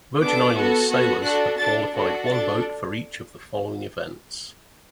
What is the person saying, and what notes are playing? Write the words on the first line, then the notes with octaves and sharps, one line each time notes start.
Virgin Islands sailors have qualified one boat for each of the following events.
B3 D4 A4 D6
B3 F#4 A4
B3 F#4 A4
D4 F#4 A4 F#6
D4 A4 A6
D4 F#4 A4
D4 A4 A6